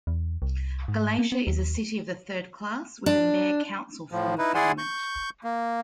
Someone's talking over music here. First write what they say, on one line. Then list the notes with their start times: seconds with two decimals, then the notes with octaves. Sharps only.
Galatia is a city of the third class with a mayor-council form of government.
0.07 E2
0.42 C2
0.88 G#2
1.19 A#3
1.32 B3
1.47 D#2
3.06 D4
4.12 A2 F3
4.38 D#4 E4 B4
4.55 E4 G#4 D5 F#5 G#5 C6
4.78 C#6 G6
5.44 A#3